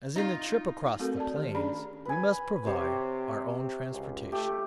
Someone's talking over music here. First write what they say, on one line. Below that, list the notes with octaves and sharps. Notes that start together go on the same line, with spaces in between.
As in the trip across the Plains, we must provide our own transportation.
D#4 F4
A3 C4 F#4 A4 A#4
D5 A5
D#3 G4
C#4 D4 G#4 D5 B5
B4 G#5
C3 G4 C5 C#5
C#2
A3 G4